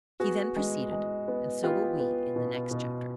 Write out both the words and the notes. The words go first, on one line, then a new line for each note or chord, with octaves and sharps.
He then proceeded, and so will we in the next chapter.
B3 F#4 G#4
G#3
G#3
B3
B3 F4 G4
B3
B2
B2